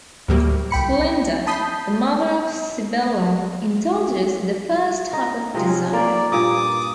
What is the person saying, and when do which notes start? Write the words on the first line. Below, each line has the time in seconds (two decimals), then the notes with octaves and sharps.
Linda, the mother of Sibylla, indulges in the first type of desire.
0.28 D2 A2 F#3 G3 A#3
0.71 C2 G5 B5 C#7
1.47 A5 B5 D#6 G6 B6 C7
5.13 D#4
5.54 C3 F3 G#3
5.67 C#4
5.93 A#3 D5
6.32 G2 A#2 D6 D#6